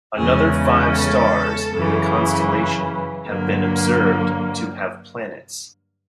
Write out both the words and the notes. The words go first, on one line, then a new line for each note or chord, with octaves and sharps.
Another five stars in the constellation have been observed to have planets.
E2 C#3 E3 G#3 C#4 G#4
A4
F#2 C#3 E3
G2 D3 F#3 A#3